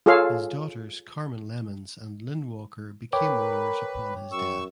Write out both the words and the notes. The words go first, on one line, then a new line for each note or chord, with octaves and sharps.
His daughters Carmen Lemons and Lynn Walker became owners upon his death.
F4 G#4 A4 C#5 F5
A#4 B4 C#5 G5 D6
F#2 C#6 E6